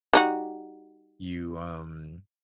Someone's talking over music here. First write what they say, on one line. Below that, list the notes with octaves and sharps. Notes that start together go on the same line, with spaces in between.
you, um,
G3 D#4 F#4